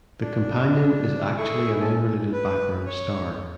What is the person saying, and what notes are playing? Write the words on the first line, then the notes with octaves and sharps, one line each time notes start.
The companion is actually an unrelated background star.
D4
E4 G#4 A4 C#6
C#4 A4 G#5
B4
C#5